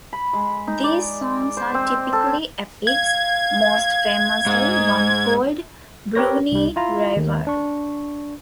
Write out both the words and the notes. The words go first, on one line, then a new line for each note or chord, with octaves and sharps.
These songs are typically epics, most famously one called "Burunee Raivaru".
B5
G#3
D#4
D5
C5
C4
A4
F5 G#6
G#2
C4 G4 A#4 B4 C#5 A#6
C2 G3
E4 F4 A#5
D#2 D#3
D4 C#6